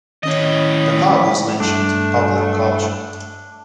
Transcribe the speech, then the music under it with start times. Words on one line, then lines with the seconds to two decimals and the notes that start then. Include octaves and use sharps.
The club was mentioned in popular culture.
0.23 A2 D#3 C#4 C#5 D#5
1.14 F3 D6 B6
1.60 G2 A3 D4